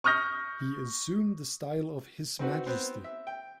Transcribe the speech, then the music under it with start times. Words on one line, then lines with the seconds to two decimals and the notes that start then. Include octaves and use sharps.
He assumed the style of "His Majesty".
0.04 C#6 D#6 F6 G6 A#6
2.39 C4 D#4 F#4 B4
2.66 B3 C4 C5
3.04 E5
3.27 G5